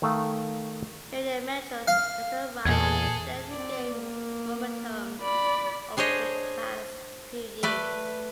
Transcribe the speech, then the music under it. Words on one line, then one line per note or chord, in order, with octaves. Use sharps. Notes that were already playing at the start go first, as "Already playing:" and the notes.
Harian Metro's meteoric rise has steadily gained momentum over the past few years.
D#3 A3 F5
F5
E2 A#2 G#4 A4 G#6
C4 D5
A#3
D5 B5
D4 G#4 C5 C#5 D#5
A3 B4 D5